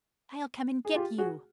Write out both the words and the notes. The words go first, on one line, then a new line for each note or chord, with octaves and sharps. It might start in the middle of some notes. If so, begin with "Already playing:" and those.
"I'll come and get you."
G#4
F4 G4
F#4 G#4